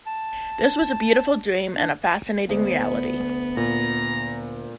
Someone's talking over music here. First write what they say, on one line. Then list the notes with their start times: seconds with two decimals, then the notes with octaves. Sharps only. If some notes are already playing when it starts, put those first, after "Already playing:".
This was a beautiful dream, and a fascinating reality.
0.07 A5
1.77 D4
2.49 D2 B3
3.57 A#2 A#5